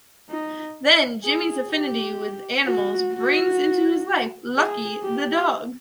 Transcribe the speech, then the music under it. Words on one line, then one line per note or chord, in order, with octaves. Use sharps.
Then Jimmy's affinity with animals brings into his life 'Lucky' the dog.
D#4
G#4
G4
F#4
F#4
G#4
G4